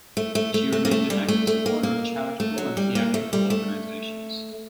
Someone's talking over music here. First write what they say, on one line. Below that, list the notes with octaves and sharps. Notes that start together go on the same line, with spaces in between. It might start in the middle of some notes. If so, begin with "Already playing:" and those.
She remained an active supporter of charitable and theatrical organizations.
A3
A3
A3
A3
A#3
A3
G3
A3
A3
A#3
A#3
A3
F#3
G3
A#3
A3
G3
A3